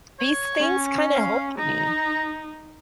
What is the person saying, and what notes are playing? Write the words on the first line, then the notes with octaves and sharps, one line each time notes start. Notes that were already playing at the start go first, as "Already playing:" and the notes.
these things kinda help me.
C#5
C#4
F5
D#4 A#5